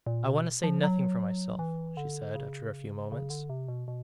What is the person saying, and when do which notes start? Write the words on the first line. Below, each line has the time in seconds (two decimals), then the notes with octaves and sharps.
'I want to say nothing for myself,' she said, after a few moments.
0.06 A#2
0.25 B2
0.63 F3
0.83 F#3
1.59 E3
1.97 D3
2.35 C#3
3.12 C#3
3.30 D3
3.49 C3
3.68 B2
3.88 B2